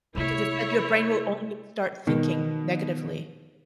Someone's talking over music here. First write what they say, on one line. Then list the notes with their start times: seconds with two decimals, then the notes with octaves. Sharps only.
Because it said your brain will only start thinking negatively,
0.15 C3 A3 E4 C#5
2.07 B2 D#3